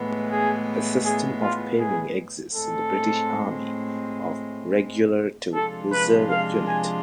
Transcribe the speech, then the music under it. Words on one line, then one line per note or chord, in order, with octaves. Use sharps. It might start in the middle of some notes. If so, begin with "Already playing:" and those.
A system of pairing exists in the British Army of Regular to Reserve unit.
Already playing: A2 E3 G#3 B3
G#4
G#4
F4
G#4
A2 G#3 C4 A4
C3 F3 G#3 D4 F4 A4
B4
F5
G#5